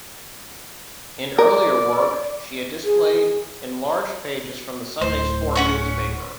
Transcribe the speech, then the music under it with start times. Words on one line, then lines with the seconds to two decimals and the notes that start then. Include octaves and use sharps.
In earlier work, she had displayed enlarged pages from the "Sunday Sport" newspaper.
1.38 A#4 D5
2.84 G#4
5.01 D1 A2 C5
5.56 C#4 F#5 C#6